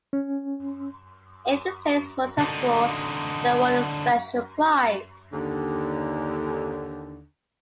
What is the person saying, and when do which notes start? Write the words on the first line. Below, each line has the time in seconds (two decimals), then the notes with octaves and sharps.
If the players were successful they won a special prize.
0.13 C#4
2.38 D3 D#4
5.33 D#2 D3